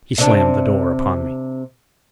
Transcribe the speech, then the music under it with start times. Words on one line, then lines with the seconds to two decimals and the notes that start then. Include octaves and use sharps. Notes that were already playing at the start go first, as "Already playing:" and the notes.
He slammed the door upon me.
0.18 C3 D4